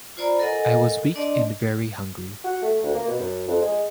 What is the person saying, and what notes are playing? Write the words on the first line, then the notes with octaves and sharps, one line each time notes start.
I was weak and very hungry.
F4 C5 D5 A#5 B5
A4 A#4 D#5 F#5 G#5
D4 D5 D#5 A5 C6
F#4
A3
D2
A#3
B2
F#2
F2
G#3